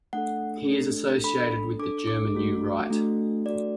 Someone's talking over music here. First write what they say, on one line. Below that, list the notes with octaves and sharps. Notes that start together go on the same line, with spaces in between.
He is associated with the German New Right.
A3 D4 A4 F#5
A3 D4 A4
D4 A4 B5
D4 A4 D6
D6
A3 D4 F#4 A4
A3 D4 F#4 A4
A3 D4 F#4 A4 D5